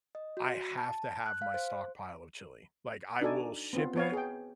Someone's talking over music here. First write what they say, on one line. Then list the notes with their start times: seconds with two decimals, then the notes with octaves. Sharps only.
I have to have my stockpile of chili. Like, I will ship it.
0.15 D#5
0.37 F#4
0.78 A5
1.26 F#6
1.42 F5
1.54 C5
3.21 D4 D#4 F#4 A4 D5 G#5
3.73 B3 C4 F4
3.96 B3 C#5 F5
4.13 G#4 G5